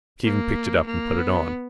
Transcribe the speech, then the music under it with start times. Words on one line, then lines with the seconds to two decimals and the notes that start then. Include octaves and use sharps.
Stephen picked it up and put it on.
0.25 A#3
0.86 A#3
1.18 B3